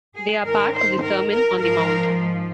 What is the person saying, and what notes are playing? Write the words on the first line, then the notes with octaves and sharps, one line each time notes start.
They are part of the Sermon on the Mount.
G#4
G#2 D#3 A#4
C5
A#4
A#4
G#2 F3 A#4